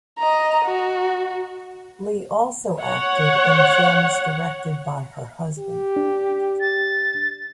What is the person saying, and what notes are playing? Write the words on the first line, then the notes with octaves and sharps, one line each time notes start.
Lee also acted in films directed by her husband.
D#5 A#5
F#4
C#5 F#5
G4
D4
A6